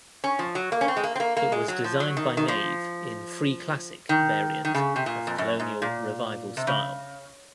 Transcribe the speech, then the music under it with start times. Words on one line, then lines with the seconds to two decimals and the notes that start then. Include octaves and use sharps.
It was designed by Nave in "free classic" variant of Colonial Revival style.
0.24 C#4
0.39 F3
0.55 F#3
0.72 A#3
0.81 C#4
0.88 C4
0.97 G#3
1.04 A#3
1.15 C4
1.20 A#3
1.37 A#3
1.52 G#3
1.68 F#3
1.84 F3
2.00 F#3
2.17 D#3
2.37 D#3
2.48 F3
4.09 D#3
4.65 D#3
4.75 C#3
4.96 C3
5.06 A#2
5.27 F2
5.38 F#2
5.59 G#2
5.82 A#2
6.57 C3
6.67 C#3